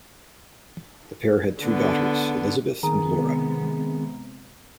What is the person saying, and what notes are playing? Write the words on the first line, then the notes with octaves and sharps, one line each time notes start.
The pair had two daughters, Elizabeth and Laura.
D3 B3
C3 D#3 G#3 B3 G#4 A#5